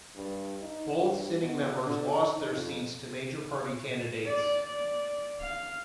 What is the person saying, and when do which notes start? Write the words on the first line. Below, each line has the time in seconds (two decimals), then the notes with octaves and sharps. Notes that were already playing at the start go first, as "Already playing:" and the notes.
Both sitting members lost their seats to major party candidates.
0.16 G2
0.61 D#4
0.94 G2
1.40 B2
1.86 D3
2.25 D#4
2.54 F2
4.25 D5
4.64 D5
5.41 F5